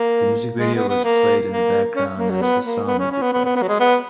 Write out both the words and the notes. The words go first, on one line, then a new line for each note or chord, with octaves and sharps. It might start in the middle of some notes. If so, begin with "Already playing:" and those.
The music video was played in the background as the song would be played.
Already playing: A#3
G#3
B3
B3
A#3
A#3
C#4
A#3
F#3
B3
A#3
B3
C#4
C#4
B3
B3
B3
B3
F#3
G#3
B3